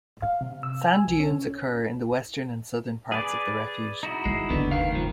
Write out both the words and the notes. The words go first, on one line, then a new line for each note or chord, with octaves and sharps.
Sand dunes occur in the western and southern parts of the refuge.
F5
C3
E6
G#5
C2
C#4
G#4 B4 D5
D#4 E4 F#4
D#3 E3 G#3
F#1 D#2 D3 B3
D#3 B4 F5
G#2 F3